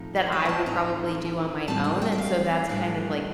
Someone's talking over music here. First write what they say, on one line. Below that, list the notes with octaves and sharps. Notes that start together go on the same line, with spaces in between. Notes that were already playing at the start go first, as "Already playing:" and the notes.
that I would probably do on my own, and so that's kind of, like
Already playing: A2 F3 A3 C4 D#4
D5
F5
G5
A5
A2 A3 C4 D#4 A#5
A2 G3 C4 A5
A5
G5
G5
F5
A2 G3 D4